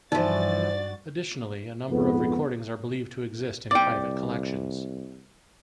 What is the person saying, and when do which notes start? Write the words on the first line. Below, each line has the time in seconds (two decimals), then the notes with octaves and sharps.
Additionally a number of recordings are believed to exist in private collections.
0.12 G2 E3 F3 D#4 F#4 D5 A6
1.90 F2 G#2 B3
3.71 C2 D5 G5 D6